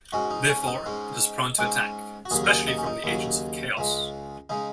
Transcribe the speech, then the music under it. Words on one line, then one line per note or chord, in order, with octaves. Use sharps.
Therefore, it is prone to attack, especially from the agents of Chaos.
G#2 G#3 C#4 F#4
D#4
C#4
C#4
D#4
G#2 G#3 C#4
G#2 G#3 C#4
F#4
D#2 C#3 F#3 G#4
A#4
G#4
D#4
C#4
D#4
D#2 C#3 F#3
C#2 C#3 G#3
C#3 G#3 D#4